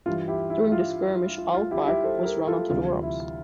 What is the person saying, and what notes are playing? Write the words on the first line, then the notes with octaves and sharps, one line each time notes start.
During the skirmish "Altmark" was run onto the rocks.
G2 E3 G3 F4
E4 G4
E4
F4
F4
F4
E4 G4
E4 G4
A4 C5
G4 A#4
F4 A4
D2 C3 E3 G3 F4
E4